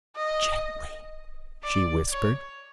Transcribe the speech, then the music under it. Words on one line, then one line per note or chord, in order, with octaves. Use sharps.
"Gently ..." she whispered.
D#5
D5
C#5